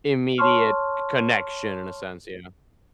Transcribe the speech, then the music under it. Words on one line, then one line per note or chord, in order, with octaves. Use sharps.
immediate connection in a sense, yeah.
C#5 A5 C6 C#6 F6